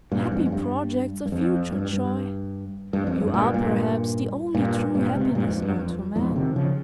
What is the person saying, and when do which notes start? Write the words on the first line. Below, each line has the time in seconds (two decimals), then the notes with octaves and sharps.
Happy projects of future joy, you are, perhaps, the only true happiness known to man!
0.12 G2 A#2
0.32 F2 G#2
0.46 G#2
0.52 G2
1.26 G2
1.32 F2
1.72 G2
1.93 G2
2.93 G2
3.07 F2
3.21 G2
3.34 G2 A#2
3.53 G2 A#2
4.54 G2 A#2
4.95 G2 A#2
5.15 G#2 C3
5.35 G2 A#2
5.48 F2 G#2
5.62 G2
5.76 F2
6.16 F2 G#2
6.31 C#3
6.36 C3 D#3
6.56 C#3 F3